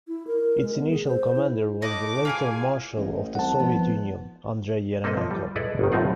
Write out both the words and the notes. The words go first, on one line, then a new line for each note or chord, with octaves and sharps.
Its initial commander was the later Marshal of the Soviet Union, Andrei Yeremenko.
E4
A#4
G#3
B3
G#4
C5
E4
A2 D#5 D6 F#6
F4 G4 G#4 G#5
A1 D#4
C2 F#5 A5
G#1 F3 B3
A#3 C4 A4 B4 D#5
F3
G3
E4 G#4 A4 B4 D5 D#5
G1 D#3
F#2 A2 C4 D#4 F4 F#5